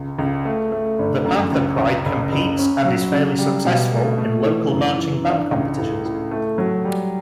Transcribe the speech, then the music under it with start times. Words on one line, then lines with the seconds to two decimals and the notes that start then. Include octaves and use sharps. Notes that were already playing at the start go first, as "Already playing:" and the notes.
The Panther Pride competes, and is fairly successful, in local marching band competitions.
Already playing: C#2
0.19 C#2
0.45 A3
0.72 A3
0.99 G1
1.25 F#2
1.52 C#2
1.78 C#2
2.05 F#1
2.32 F#1
2.58 C#4
2.85 F#3
3.12 C#3
3.38 G3
3.65 B2
3.91 A3
4.18 A3
4.45 E3
4.72 F#2
4.98 E3
5.24 D4
5.51 C#2
5.79 A2
6.05 A2
6.31 A3
6.58 F#3
6.85 G3